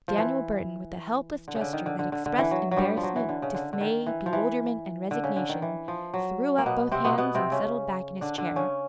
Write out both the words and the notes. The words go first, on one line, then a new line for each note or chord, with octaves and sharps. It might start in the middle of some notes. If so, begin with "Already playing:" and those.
Daniel Burton, with a helpless gesture that expressed embarrassment, dismay, bewilderment, and resignation, threw up both hands and settled back in his chair.
F3
E3
D3
C#3
D3
D#3
D3
D3
D3
D3
E3
F#3
F#3
G2 G3
F3
F#3
E3
D3
C#3
D3
D3
D#3
E3
F3
E3
D3
C#3
D3
D#3
E3
F3
F#3
A#3
B2 B3
C3 C4
B2 B3
B2 B3
C3 C4
C#3 C#4
D3 D4
D3 D4
C#3 C#4